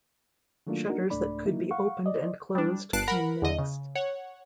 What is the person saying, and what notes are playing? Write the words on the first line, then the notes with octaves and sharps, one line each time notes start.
Shutters that could be opened and closed came next.
D#3 F#3 A3 A#3 D4 F4
A#3 D4 D#4 F#4 A#4
C2 G#2 A3 D4 D5 B5
E3 F#3 A#3 D#4 E4
F5 F#5 C#6
D5 D#5
G3 D4
G1 G2 A5 F#6 C7 D7
A#4 F#5 B5
E2 D3 D#5
C#3
C#5 F#5